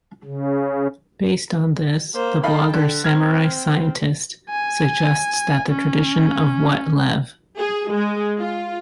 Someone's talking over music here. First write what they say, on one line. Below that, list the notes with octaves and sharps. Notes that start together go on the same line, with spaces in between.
Based on this, the blogger "Samurai Scientist" suggests that the tradition of what Lev.
C#3
A#3 C5
D#4 A4 F5 G5 B5
D3
C4 F6 G#6
G#5
C#4
G#4
G#3
F4